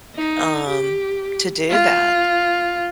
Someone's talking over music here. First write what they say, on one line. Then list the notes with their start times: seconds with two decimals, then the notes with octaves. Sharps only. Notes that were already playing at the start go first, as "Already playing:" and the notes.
um, to do that,
0.16 D#4
0.68 G4
1.70 F4